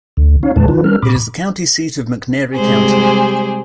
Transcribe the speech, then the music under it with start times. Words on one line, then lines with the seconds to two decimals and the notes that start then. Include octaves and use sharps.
It is the county seat of McNairy County.
0.17 D2 D3
0.43 C#4 D#4 C#5 F5
0.56 E2 A#2 D3 G#3 B4 A5
0.68 D#3 E3 D#4 F4 B4
0.84 G3 C#4 A#4 F6
1.02 A#2 B5 D6
2.55 C3 G3 G#3 G4 G#4 C5